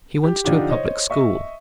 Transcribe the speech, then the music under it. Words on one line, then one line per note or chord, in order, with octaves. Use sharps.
He went to a public school.
G4
D3 F3 D4 D#4 F4 G4
C5 C#5 D#5
D#5 E5 C#6